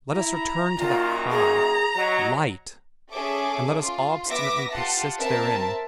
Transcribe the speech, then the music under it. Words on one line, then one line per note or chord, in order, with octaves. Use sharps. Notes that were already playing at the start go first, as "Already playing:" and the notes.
Let us return to that cry: Light! and let us obstinately persist therein!
E4 A#5
F#2 A#2 D#3 F4
G#4 A#5
F#3 D#5
C#4 G#4 A4 E5 D6
F4
B3 E5 D6 A#6 B6
F4 G4 F#5 A5
C4 A#4 E5 A5